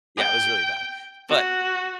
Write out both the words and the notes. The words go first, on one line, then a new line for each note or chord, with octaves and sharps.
Yeah, it was really bad. But
G5
F#4